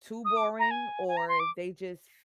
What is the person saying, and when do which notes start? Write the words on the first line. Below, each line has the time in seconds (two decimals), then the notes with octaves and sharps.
too boring, or they just
0.25 D#6
0.37 D6
0.59 A#5
0.71 G#5
1.08 G#5
1.17 A#5
1.28 C6
1.40 D6